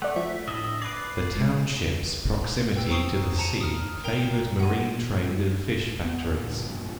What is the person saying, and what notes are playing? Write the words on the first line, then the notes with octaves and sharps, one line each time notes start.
The township's proximity to the sea favoured marine trade and fish factories.
A3 D5 F#5
F3 E5
A2 D4 D#5 E5 D#6
B4 D5 D6 G#6 C7
G#3
B4 G5 E6
C5 A#5 C#6 D#6 C7 G7
A5 A#5 C#7 D#7
D#6 F6
A#4 G5 A#5
F#5 D#7
B3
A#2
E1 G2 D3
B1 G2 A#2 F3